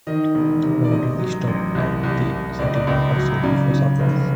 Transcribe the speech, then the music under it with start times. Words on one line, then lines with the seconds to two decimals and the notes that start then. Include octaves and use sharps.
Baudin stopped at the settlement of Sydney for supplies.
0.07 D#3 D#5
0.35 E1
0.63 C3
0.84 D5
0.91 A1 D#5
1.19 F#3
1.47 A1
1.75 C2
2.03 C2
2.31 C2
2.59 C#2 D5
2.67 D#5
2.75 D5
2.87 C#2
3.15 F#3
3.43 C#3 D5
3.71 C#3
3.99 F1